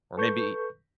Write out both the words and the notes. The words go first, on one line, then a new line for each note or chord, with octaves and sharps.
Or maybe
A4 B4 C#6 G6